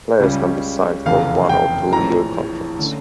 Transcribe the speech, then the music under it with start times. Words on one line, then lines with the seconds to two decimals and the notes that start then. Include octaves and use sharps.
Players can be signed for one or two year contracts.
0.20 C#2 C#3 G3 C#4
1.06 F1 E2 C#3 F5
1.49 G5
1.93 A#1 A2 E3 A#5
2.79 D3 A3 C#4